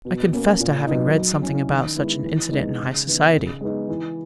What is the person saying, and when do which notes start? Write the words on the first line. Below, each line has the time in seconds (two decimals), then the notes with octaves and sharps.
I confessed to having read something about such an incident in high society.
0.05 B2
0.33 A#3 C#4
0.60 A#2
0.87 F#3 B3 D#4
1.15 F#3
1.42 C#4 E4
1.70 D#3
1.96 G#3 B3 E4
2.24 E3
2.51 G#3 B3 D#4
2.79 C#3
3.07 E3 B3 D#4
3.34 C#3
3.61 G#3 B3 D#4
3.88 E3